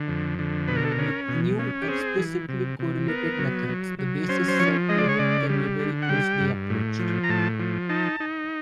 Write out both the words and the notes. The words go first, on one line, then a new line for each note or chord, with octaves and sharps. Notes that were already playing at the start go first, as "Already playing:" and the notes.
With new explicitly correlated methods the basis set limit can be very closely approached.
Already playing: D3
F2
D3
B2 B4
A#4
A4
A#4
C#4
B2
C#4
G4
C4 G#4
E3
C3
C3
B3 A#4
F#3
F#3
F#3
C#4 C5
C5
F3 C#5
G#3 D#5
D5
C#5
C#3 D5
G3
D3
F#5
G3 G5
G2
A2
F3
A#5
A2 A5
F3
D#4 A5
D#4